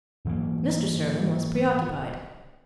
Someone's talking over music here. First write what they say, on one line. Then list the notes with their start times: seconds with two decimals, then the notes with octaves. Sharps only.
Mr. Sterling was preoccupied.
0.25 G#2 E3 F#3 A#3